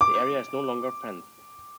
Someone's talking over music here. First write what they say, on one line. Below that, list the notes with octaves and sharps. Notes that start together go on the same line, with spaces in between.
The area is no longer fenced.
D6